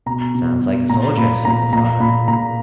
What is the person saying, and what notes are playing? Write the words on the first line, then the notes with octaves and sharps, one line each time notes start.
"Sounds like a soldier," said the father.
B2 A#5
B2
B2
A#2 A#5
A#2 B5
A#2 A#5
A#2 A#5
A#2 B5
A#2 A#5